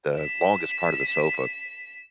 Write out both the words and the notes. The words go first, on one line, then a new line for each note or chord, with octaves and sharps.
the longest part of the sofa,
B6 E7